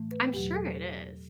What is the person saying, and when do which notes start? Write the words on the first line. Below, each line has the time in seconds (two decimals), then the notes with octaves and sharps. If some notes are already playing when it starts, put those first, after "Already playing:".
I'm sure it is.
Already playing: A2 E3 A3
0.11 B4
0.33 E2 B2 F#3 G4
0.54 A4